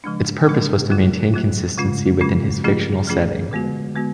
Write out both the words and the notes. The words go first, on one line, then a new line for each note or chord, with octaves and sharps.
Its purpose was to maintain consistency within his fictional setting.
C#3 F3 G#3 D4
C#3 F3 G#3 D4
F#3 A3 F4
F#3 A3 F4
C#3 G#3 C#4 F4
C#3 G#3 C#4 F4
F3 A3 C#4 F4 G#4
F3 A3 C#4 F4 G#4
D3 G#3 B3 F#4
D3 G#3 B3 F#4